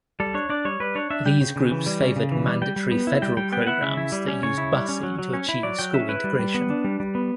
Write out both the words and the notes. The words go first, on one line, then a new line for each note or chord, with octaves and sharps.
These groups favored mandatory federal programs that used busing to achieve school integration.
G3 A4
D4 C#5
D4 D5
G3 C#5
G3 B4
D4 C#5
D4 E5
G3 G5
C#3
C#3
E3
G3
C#3
C#3
E3
G3
G3 G5
G3
B3
E4
G3 G5
G3 G5
B3 G5
E4 F#5
C#3 E5
E4
G3
C#4
C#3 C#5
E4
G3
C#4
F#3
F#3
C#4
E4
F#3 D5
F#3 G5
C#4 E5
E4 B4
G3
G3
B3
D4
G3
G3
B3